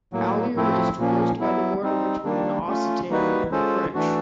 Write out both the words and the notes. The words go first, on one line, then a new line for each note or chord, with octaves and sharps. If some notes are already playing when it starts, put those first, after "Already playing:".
Allier is traversed by the border between Occitan and French.
A2 F#3 A#3
A2 F3 A3 C4 E4
A#2 F3 A#3 C#4
F#3 B3 E4
G3 C4 D#4
D#3 G3 A#3 D4
A3 C#4 F4
G3 A#3 D#4 F#4 B4
G#3 C#4 F4 A4 C5
E3 A3 D4 F#4